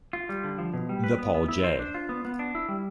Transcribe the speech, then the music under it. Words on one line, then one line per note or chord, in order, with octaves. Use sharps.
The Paul J.
F4
G3
D3
F3
B2
G3
B4
B3
B3
E4
C5
D4
F4
B3
B3
D4
E4
G3